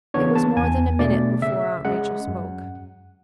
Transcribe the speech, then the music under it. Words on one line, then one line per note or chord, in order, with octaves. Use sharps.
It was more than a minute before Aunt Rachel spoke.
C#3 E3 B3 D4 C#5
A5
E2 G#5
B2 A3 D4 D5
C#3 E5
G#3 C#4 F#5
F#2